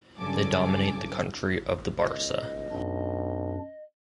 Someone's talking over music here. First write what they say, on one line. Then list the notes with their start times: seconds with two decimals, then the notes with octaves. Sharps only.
They dominate the country of the Bârsa.
0.19 G2 C#3 F#3 A4 G#5 D6
1.98 C#2 D#5
2.71 B1 F#2 D4